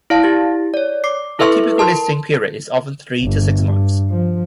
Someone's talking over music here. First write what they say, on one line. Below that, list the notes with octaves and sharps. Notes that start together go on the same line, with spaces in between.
A typical listing period is often three to six months.
E4 D5 F5 A5
E4 G4 A6
C#5 D5
D6 C7
E4 A4 B4 E5 C6 C#6
A#4 A5 C6
G1
G2
F3